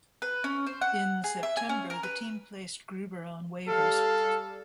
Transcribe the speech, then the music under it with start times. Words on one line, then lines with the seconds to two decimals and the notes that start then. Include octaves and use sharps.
In September, the team placed Gruber on waivers.
0.22 B4
0.44 C#4
0.66 C5
0.81 F#5
1.24 G#4
1.43 E5
1.57 G#5
1.69 C#4
1.90 A#4
2.03 B4
3.68 G3 A4 F5